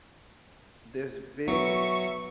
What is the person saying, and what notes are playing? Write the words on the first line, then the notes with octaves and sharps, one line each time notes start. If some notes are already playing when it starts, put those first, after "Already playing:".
this big
F#3 B3 B4 E5 C#6